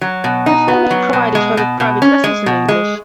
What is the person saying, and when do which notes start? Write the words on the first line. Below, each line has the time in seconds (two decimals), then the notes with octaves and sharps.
Her family provided her with private lessons in English.
0.01 F#3
0.24 B2
0.46 D#4
0.68 B3
0.91 F#3
1.13 B2
1.35 G#3
1.57 B2
1.80 B2
2.02 C#4
2.24 G#3
2.46 B2
2.68 G#3